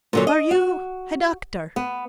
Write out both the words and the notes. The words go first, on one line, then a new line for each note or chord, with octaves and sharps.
"Are you a doctor?"
A#2 D3 F#3
D#5
F#4
B3